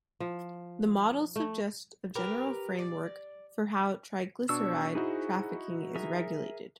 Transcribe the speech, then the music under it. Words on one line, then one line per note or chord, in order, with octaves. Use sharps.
The model suggests a general framework for how triglyceride trafficking is regulated.
F3
A3
G4 A#4 B4
D5
B2 D4 C#5 C#6 E6
D#4 E4 F#4 G#4 C5
G#4 A#4 E5